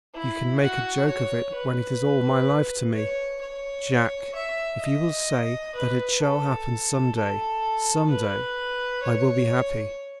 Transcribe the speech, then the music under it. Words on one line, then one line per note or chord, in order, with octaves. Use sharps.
You can make a joke of it when it is all my life to me! Jack, if you will say that it shall happen some day,--some day,--I will be happy.
E4
F#4
C#5
B4
C#5
C#5
E5
D#5
B4
A4
A4
B4
C#5